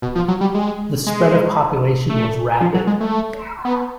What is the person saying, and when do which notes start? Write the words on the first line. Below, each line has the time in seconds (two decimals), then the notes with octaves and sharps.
The spread of population was rapid.
0.02 B2
0.15 F3
0.28 F#3
0.41 G3
0.55 G#3
1.07 G#3
2.10 A3
2.61 F3
2.74 F#3
2.87 G#3
3.00 A3
3.65 B3